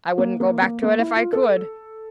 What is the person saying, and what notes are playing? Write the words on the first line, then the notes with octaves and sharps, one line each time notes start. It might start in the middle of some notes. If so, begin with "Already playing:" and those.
I wouldn't go back to it if I could.
A#3
A#3
A#3
A#3
E4
F4
A4